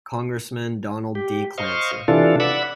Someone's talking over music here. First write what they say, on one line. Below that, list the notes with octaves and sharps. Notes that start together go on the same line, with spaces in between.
Congressman Donald D. Clancy.
G4
C5 D#5 F5 C#6
C3 E3 D4 F4 A4
D5 F#5 B5 E6